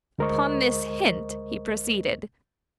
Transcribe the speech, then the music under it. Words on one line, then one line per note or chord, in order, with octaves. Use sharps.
Upon this hint he proceeded.
D2 G#3 A#4 C5 D#5 C#6